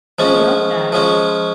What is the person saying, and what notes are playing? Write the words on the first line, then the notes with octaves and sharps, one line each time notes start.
I love that.
F3 G#3 C#4
F3 G#3 C#4